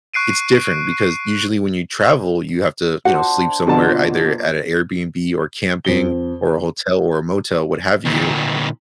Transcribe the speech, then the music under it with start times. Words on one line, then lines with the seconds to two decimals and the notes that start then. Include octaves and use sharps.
it's different because usually when you travel, you have to, you know, sleep somewhere, either at an Airbnb or camping or a hotel or a motel, what have you.
0.14 C#6 F#6 C7 D7 D#7
3.05 D4 F#4 C5 F#5 A#5
3.67 B2 D3 F3 A#3 A5
5.85 F2 G7
8.06 D2 A#2